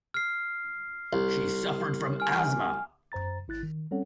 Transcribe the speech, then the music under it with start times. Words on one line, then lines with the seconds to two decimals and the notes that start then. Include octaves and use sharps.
She suffered from asthma.
0.14 F6 C7
1.13 C2
2.20 G#5 F6
3.12 F#2 C5 A#5 A6
3.48 G#1 E4 F#6 A6
3.63 D#3
3.91 G3 C4 C#4 A4 C#5 F#5